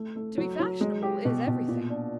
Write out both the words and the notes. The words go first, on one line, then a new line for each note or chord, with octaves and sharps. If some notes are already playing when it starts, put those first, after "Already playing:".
To be fashionable is everything.
Already playing: A3
A3
F#3
F#3
G#3
G4
B2
B2
A#2
D4